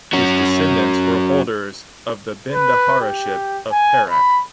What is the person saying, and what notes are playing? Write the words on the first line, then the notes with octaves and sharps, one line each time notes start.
His descendants were holders of the Bendaharaship of Perak.
F#3 C#4
B4
G4
G#5
B5